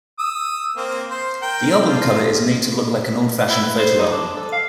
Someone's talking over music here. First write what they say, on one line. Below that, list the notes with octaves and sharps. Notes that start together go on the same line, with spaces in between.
The album cover is made to look like an old-fashioned photo album.
D#6 E6
A#3 C4
C5
A#4 G5
F4 A5
E4
B4
C5
D#4
D4
A4
F5